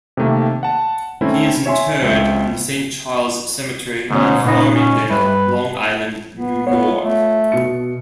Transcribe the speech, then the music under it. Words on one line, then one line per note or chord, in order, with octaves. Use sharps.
He is interred in Saint Charles Cemetery in Farmingdale, Long Island, New York.
C3 D#3 A3 A#3
F#5 A5
D#3 A3 C4 C#4 E4
C#5 E5 G#5 C6
C#2 C4 E5
D2 G#2 B2 C#4
A#2 C#3 B3 D#4
C#4
G2 B4
B3
B3 F4 C#5
A3
B2 C#7